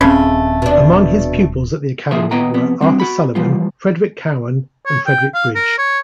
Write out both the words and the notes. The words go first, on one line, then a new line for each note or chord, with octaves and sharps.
Among his pupils at the academy were Arthur Sullivan, Frederic Cowen and Frederick Bridge.
D#1 C#3 G#3 A3 C4 C#4
B2 D4
C#3 F3 A#3 G#4 E5 C6
D#2 B3 B4 D#5 G5 A#5
F2 C3 B3
G3 C4 D4
F#4 B5
E3 F3 G3 A#3 F4
C#5
G5
F5
A#4
C#5